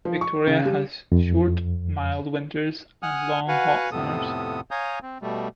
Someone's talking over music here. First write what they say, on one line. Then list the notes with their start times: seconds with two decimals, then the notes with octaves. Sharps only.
Victoria has short mild winters and long hot summers.
0.05 F3
0.21 C#6
0.47 C#3
0.65 G3
1.12 F2
3.03 F#5 G#5 D#6 F6 F#6
3.48 F#4 B4 F5 F#5 G#5
3.92 F2 A2 C3 B3 A4 D#6
4.71 C#5 F5 G#5 A#5 D#6 G6
5.02 C4
5.22 B2 G3 A3